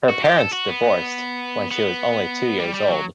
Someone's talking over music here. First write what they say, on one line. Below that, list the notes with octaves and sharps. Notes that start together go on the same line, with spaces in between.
Her parents divorced when she was only two years old.
F#4
G4
A4
F#4
B3
B3
G3
G3
F#3